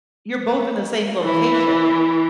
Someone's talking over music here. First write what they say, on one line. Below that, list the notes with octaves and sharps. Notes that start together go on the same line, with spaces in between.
You're both in the same location.
E3